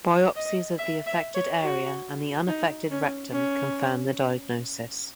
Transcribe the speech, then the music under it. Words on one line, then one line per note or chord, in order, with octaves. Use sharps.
Biopsies of the affected area and the unaffected rectum confirm the diagnosis.
D#5
E5
E5
C#5
F#4
D#4
C#4
C#4